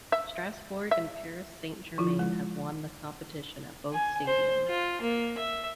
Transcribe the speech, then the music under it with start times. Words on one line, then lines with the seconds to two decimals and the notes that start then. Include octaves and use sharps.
Strasbourg and Paris Saint-Germain have won the competition at both stadiums.
0.12 E5
0.91 E5
1.98 F3 E4 F4
2.19 G#3
3.93 G#5
4.26 C5
4.68 F4
5.01 A#3
5.38 E5